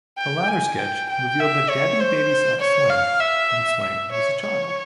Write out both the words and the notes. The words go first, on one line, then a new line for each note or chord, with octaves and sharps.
The latter sketch revealed that Debbie babysat Swank when Swank was a child.
G5
G#5
G5
G5
E5
C#5
C5
C#5
F5
E5
E5
C#5
C#5